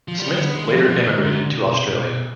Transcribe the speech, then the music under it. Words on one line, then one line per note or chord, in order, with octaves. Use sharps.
Smith later emigrated to Australia.
F3
G3
G#3
D3 B3
D#3 G#3
C3 F3
G3
B2 F3
G#2 D#3
G#2 D3
D3
C3
B2
C3
G#2
B2
B2